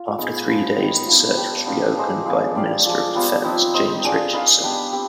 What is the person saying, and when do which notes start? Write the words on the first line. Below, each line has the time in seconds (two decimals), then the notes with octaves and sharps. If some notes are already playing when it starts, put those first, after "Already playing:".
After three days the search was reopened by the Minister of Defence, James Richardson.
Already playing: F4
0.18 G#3 B3 D#4
0.48 F3 B3 F4 B4
0.77 G3 B3 D#4 B4
1.07 B3 D4 F4
1.37 B3 D4 G4
1.66 B3 D4 F4 B4
1.95 D4 G#4 C5 D#5
2.25 F3 B3 F4 G#4
2.55 D4 G4 D5 F5
2.85 F3 G#3 D4
3.15 G3 B3 F4 C5
3.44 F3 C4 D#4 B4
3.74 D#4 G4 C5 D#5
4.04 D4 G#4 D5 F5
4.33 D#4 B4 D5 F5
4.63 B3 D4 G4
4.93 C4 G4